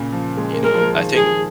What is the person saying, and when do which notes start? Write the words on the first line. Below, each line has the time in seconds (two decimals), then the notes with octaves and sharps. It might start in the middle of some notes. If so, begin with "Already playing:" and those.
You know, I think,
Already playing: A#2 C#3
0.12 F3
0.37 G#3
0.53 A#3
0.63 G#3 A#4
0.74 F3
0.81 G#3
0.94 D#3
0.99 F3
1.15 F3 G#4